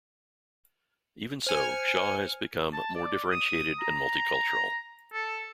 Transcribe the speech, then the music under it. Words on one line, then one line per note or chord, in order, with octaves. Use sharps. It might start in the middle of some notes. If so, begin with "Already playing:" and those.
Even so, Shaw has become more differentiated and multicultural.
C5 G#5 F6 C#7
A5
D5
D#6
A#5
A4